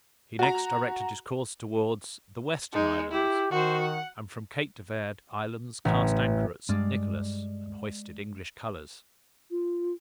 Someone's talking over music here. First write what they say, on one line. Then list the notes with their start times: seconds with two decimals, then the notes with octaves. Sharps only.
He next directed his course towards the western islands, and from Cape de Verd islands cast anchor at St. Nicholas, and hoisted English colors.
0.39 F#4 A#5
2.73 G#3 D#4
3.12 E4 G4
3.51 D#3 F#4 C5
3.81 F#5
5.85 A1
6.69 G2 G#3 D5 F6
9.51 F4